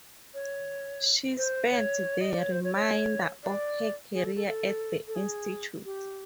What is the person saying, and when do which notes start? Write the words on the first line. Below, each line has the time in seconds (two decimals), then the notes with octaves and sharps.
She spent the remainder of her career at the institute.
0.34 C#5
1.37 C5
1.71 C#5
2.21 D#5
2.31 D5
2.40 C#5
2.51 C5
2.64 C#5
2.75 C#5
3.44 D5
4.13 G#4
4.25 A4
4.36 A4
4.47 A4
5.08 A4
5.15 G#4
5.85 G4